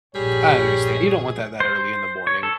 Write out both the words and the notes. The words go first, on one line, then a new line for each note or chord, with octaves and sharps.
I understan you don't want that that early in the morning.
A#1 G2 G3 G#4 C#5
C5
C#5
A4